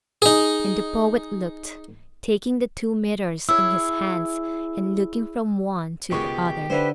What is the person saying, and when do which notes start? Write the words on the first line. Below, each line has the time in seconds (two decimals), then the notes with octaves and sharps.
And the poet looked--taking the two mirrors in his hands, and looking from one to the other.
0.22 D#4 G#4
3.49 E4 G#4 C#5 E6
6.11 C#2 B2 D#3 G#3 G4 C#6
6.70 D3 D#4 E4 B4 C5